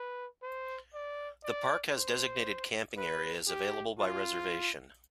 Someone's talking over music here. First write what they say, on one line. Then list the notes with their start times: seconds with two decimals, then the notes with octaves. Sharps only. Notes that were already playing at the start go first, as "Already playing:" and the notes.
The park has designated camping areas available by reservation.
Already playing: B4
0.42 C5
0.94 D5
1.44 D5
1.95 C5
2.97 B4
3.47 G4
3.98 F4